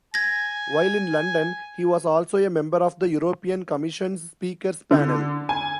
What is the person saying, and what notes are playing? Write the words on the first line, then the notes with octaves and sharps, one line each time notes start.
While in London he was also a member of the European Commission's Speakers Panel.
G#5 G#6 A#6
D3
G#5